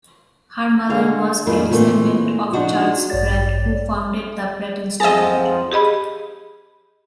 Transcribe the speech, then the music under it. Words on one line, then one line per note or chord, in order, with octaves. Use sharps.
Her mother was a descendent of Charles Pratt, who founded the Pratt Institute.
D3 G#3 F5
F2 G#2 D#3 A#3 D4 E4
A#2 E3 A3 A#3 C4
F3 D4 D#4 F#4
A1 G2 C#5 D5 A6
F2 G#2 F3 G#4 D#5 A5
G4 G#4 D#5 B5